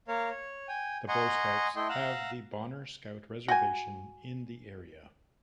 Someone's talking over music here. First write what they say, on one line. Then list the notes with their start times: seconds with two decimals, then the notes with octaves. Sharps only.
The Boy Scouts have the Bonner Scout Reservation in the area.
0.08 A#3 A#4 C#5 F5
0.30 C#5
0.68 G5 G#5
1.08 D#5 F#5 G#5 A#5 C6 C#6
1.76 A3 E4 D#5 G5 C6
1.89 F5 F#5 A#5 E6 F#6
3.48 F#4 G5 G#5